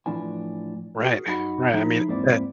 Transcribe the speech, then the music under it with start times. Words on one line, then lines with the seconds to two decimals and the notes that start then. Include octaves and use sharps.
Right, right. I mean, at
0.06 A2 E3 F3 D4 E4 G#5
1.01 F#4 G#4 A#4
1.26 F#2 D#4 F#4 B5
1.73 F3 D#4 E4 G#4
2.08 E2 G#2 A#3 C4 E4 D5